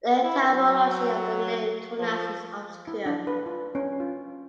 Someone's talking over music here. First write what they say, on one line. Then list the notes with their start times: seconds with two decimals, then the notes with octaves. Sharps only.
The etymology of the name Tunas is obscure.
0.22 E4
0.53 F#3
1.99 F3
2.88 E4
3.06 D4
3.27 B4
3.46 F4
3.75 C#4
4.00 F4